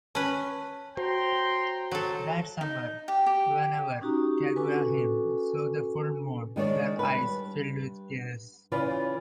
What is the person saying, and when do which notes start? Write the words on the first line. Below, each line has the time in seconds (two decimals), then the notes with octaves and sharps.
That summer, whenever Kaguya-hime saw the full moon, her eyes filled with tears.
0.15 C#4 B4 A5
0.97 F#4 C5 G5 A#5 C6
1.91 F#3 A4
2.61 D#4
3.08 G4
3.26 G4
4.01 C#4 D#4 F#4 G4 A#5
4.56 C#4 D4 F#4 A4 B4 G#5
6.56 D#3 G#3 D4 C#5 D5
6.99 G2 B4
8.72 C#3 E3 C#4 F4 B4 D5